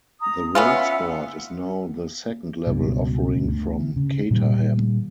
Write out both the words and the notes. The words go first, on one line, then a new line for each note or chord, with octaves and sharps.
The Roadsport is now the second-level offering from Caterham.
A#5 D#6
B3 C#4 F4 E5 F#5 E6
C#2 G2 B2
D2
C#3
A#2 D#3 G3